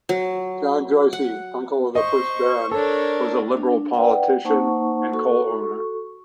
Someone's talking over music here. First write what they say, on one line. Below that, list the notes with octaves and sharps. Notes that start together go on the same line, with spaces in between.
John Joicey, uncle of the first Baron, was a Liberal politician and coal owner.
F#3
F#5
C5 D#5 C#6
D4 A4 A#4 C#5
D4
B4 D5 F#5 G5
A#3 D#4 C5 F#5 A5 C#6
F#4 A4 C#6